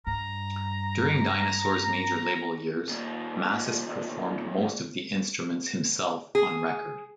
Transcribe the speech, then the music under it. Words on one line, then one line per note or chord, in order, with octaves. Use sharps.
During Dinosaur's major label years, Mascis performed most of the instruments himself on record.
G2 A#5
D#2 A#2
G#4